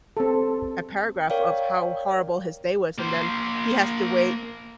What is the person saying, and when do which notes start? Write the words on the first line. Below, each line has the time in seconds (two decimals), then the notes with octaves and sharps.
a par paragraph of how horrible his day was, and then he has to wait,
0.17 C4 A4
1.30 A#4 C#5 D5 F5 G5
2.99 A#3 C5